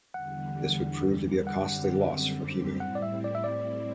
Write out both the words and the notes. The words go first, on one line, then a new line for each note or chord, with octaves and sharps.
This would prove to be a costly loss for Hemu.
E2 D3 G3 F#5
F#2 D3 G3 C4 G4 F#5
A2 G3 C4 E4 F#5
D5
E5
D5
E5
D5